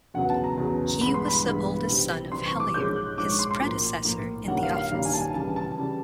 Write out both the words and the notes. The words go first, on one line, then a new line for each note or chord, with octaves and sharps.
He was the oldest son of Hellier, his predecessor in the office.
E2 C#3 F#3 B3 F#5
A5
A#5
E2 C#3 F#3 B3
G2 E3 G#3 B3 B5
C6
B5
G2 E3 G#3 B3
C3 E3 G3 C4
C3 E3 G3 C4 C6
C#6
D6
G#2 F3 G#3 C#4 G6
F#6
G#2 F3 G#3 C#4 D6
C#6
C6
C6
A2 F3 A#3
A2 F3 A#3
G2 D#3 G3 A#3 C#4 F#5
F5
F5
G2 D#3 G3 A#3 C#4 F5
G#5
A5
G#5
C#3 E3 G3 A5
A5
C#3 E3 G3